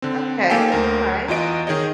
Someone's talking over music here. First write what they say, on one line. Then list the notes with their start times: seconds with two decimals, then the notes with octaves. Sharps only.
Okay, alright,
0.02 D3 C4
0.50 A#3 D#4 A4 G5 G#5
0.70 D2 A#4 C5
1.28 E2 F4 F#4 D#5 D7
1.67 D#3 G#4 C#5 D#5